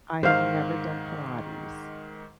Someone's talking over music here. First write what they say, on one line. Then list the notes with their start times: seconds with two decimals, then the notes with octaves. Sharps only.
I have never done Pilates.
0.23 G#2 D#3 C5 F5